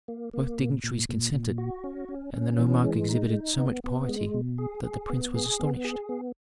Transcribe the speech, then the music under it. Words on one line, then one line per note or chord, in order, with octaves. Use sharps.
Both dignitaries consented, and the nomarch exhibited so much piety that the prince was astonished.
A#3
A#3
A#2
A#2
A#2
A#2
F#4
C#4
C#4
C#4
E3
G#3
D#4
D#4
B3
B3
G#3
B2
G#4
G#4
B3
G#4
B3
G#4
B3